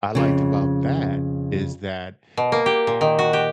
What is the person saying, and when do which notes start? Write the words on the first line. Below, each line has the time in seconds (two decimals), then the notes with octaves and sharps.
I liked about that, is that,
0.15 F2 C#3
2.37 B2
2.52 A#3
2.66 G4
2.87 A#2
3.01 D#3
3.19 F#4
3.33 G4